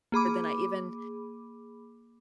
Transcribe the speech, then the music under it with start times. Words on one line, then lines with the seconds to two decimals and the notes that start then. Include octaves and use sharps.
Then I even
0.12 A#3 G#4 B5 D6